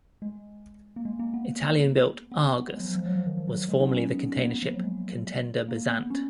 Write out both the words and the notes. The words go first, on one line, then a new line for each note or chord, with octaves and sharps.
Italian-built, "Argus" was formerly the container ship "Contender Bezant".
G#3
A#3
G#3
A#3
B3
B3
B3
G#3
F#3
F3
F3
F#3
F3
D#3
F3
F#3
F#3
G#3
B3 D#4
C#4
A#3
B3
A#3
F3
F#3
G#3
A#3
B3
C#4